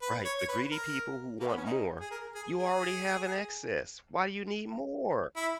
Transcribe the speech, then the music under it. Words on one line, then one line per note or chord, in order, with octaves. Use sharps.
Right, the greedy people who want more, you already have an excess. Why do you need more?
B4
C#5
C#5
B4
A#4
A#3
B3
C#4
D#4
G#4
A#4
G#4
G#4
E4